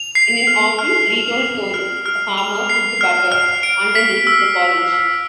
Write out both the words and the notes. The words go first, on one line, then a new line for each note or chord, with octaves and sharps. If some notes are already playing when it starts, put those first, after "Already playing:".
In an often retold story, a farmer put the butter "underneath" the porridge.
Already playing: F7
C7
F6
F6
F7
C7
F6
F6
F7
C7
F6
F6
D7
B6
E6